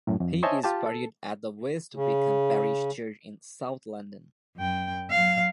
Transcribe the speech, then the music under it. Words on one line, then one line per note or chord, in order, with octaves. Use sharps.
He is buried at the West Wickham Parish Church in South London.
F#2 A2
F2
C5 C#5 D#5 E5 G#5 A5
F4 G4 A5
A4
C#3
F#2 G5
F#3 F5